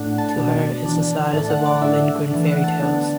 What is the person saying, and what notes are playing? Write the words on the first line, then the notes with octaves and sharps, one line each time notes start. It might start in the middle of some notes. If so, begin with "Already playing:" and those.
To her is the saddest of all Lindgren fairy tales.
Already playing: A2 A3 D4 F#5
A5
B2 B3 D4
E3 D4
A2 A3 D4 A5
F#5
D5
A2 A3 D4 E5
E3 A3 D4
F#5
A5
D3 B3 D4